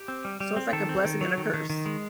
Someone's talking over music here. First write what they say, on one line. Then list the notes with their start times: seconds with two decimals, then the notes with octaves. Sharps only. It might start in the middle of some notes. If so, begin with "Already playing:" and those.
So, it's like a blessing and a curse.
Already playing: G4
0.08 C4
0.25 G3
0.40 G3
0.56 C4
0.73 D#3 A4
0.89 C4
1.05 D#3
1.21 F#3
1.38 D#3
1.54 D#3
1.70 D#3
1.86 G#3